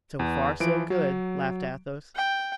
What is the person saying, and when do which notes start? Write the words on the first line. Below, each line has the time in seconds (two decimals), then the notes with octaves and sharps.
"So far, so good," laughed Athos.
0.19 E2
0.60 E3 F3 D7
0.90 F#3
2.15 G5